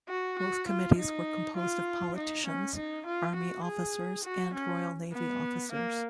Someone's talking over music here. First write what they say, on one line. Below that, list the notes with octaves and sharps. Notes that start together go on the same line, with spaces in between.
Both committees were composed of politicians, army officers and Royal Navy officers.
F#4
F#4
F4
D#4
F4
D#4
C#4
D#4
F4
F#4
G#4
F#4
C#4
B3
A#3